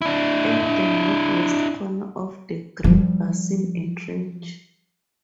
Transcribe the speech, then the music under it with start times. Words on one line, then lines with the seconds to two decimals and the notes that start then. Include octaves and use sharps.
At the northwest corner of the Great Basin and Range.
0.02 D4 E4
2.84 F3 G3